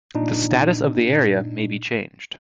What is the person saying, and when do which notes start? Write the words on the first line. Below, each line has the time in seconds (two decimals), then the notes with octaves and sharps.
The status of the area may be changed.
0.15 A#2 D4 D#4